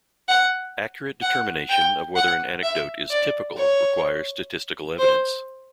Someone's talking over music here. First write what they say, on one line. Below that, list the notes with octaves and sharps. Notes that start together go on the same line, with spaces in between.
Accurate determination of whether an anecdote is "typical" requires statistical evidence.
F#5
F#5
G5
F#5
E5
D5
C#5
C5